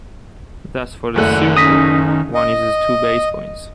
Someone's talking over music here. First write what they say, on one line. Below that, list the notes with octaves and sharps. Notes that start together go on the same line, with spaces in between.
Thus for the circle, one uses two base points.
F#1 D#3 A3 D5 F#5 F#6
C#4 D#4 D#6 A#6 B6
D#5